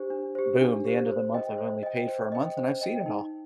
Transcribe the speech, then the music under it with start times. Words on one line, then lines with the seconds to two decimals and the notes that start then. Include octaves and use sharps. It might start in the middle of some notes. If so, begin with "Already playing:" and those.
boom, the end of the month, I've only paid for a month and I've seen it all.
Already playing: D4 G4 C5
0.10 D4
0.35 G4 C5
0.61 D4
0.85 G4 C5
1.09 C5
1.34 D#5 G5
1.58 C5
1.83 D#5 G5
2.08 C5
2.32 D#5 G5
2.57 C5
2.81 D#5 G5
3.06 D#4